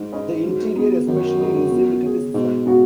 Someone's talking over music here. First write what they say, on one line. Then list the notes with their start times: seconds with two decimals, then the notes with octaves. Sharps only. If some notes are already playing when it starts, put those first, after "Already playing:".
The interior, especially, received criticism.
Already playing: G#2 G#3
0.12 C#4 B4 D#5
0.44 F#3
0.76 B3 G#4
1.07 F#2 D#3
1.40 G#3 D#4 B4 D#5
1.71 B3
2.02 G#4 C#5
2.34 G#2 B2
2.65 C#3 G#3 B3 F#4